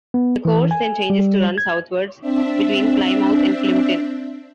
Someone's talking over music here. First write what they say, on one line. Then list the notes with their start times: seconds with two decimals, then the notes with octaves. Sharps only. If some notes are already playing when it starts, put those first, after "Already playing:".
The course then changes to run southwards, between Plymouth and Plympton.
0.14 B3
0.45 E3
0.71 G#5
1.10 G3
1.58 G#6
2.21 C4 D4 E5